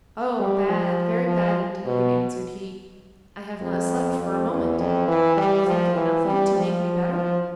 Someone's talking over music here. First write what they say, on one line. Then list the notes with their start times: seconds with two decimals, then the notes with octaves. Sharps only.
'Oh, bad; very bad indeed,' answered he; 'I have not slept for a moment. Can you think of nothing to make me better?'
0.39 G3
0.68 F3
1.27 F3
1.86 B2
3.61 F2
4.20 F2
4.49 E2
4.79 F2
5.08 E3
5.37 G3
5.66 F3
5.96 E3
6.25 G3
6.54 F3
7.13 F3